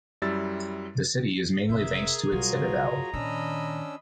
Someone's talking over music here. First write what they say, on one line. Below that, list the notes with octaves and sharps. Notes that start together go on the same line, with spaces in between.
The city is mainly thanks to its citadel.
F#2 G3 E4 E6 A6
F1 G#4 A#4 E5 G6
B1 F#3 G3 F4 F#4 A#5
A#2 D#3 C#4 D4 D#5 B5 E6